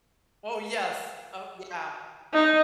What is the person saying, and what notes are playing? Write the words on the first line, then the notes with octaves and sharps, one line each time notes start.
Oh, yes. Oh yeah.
D#4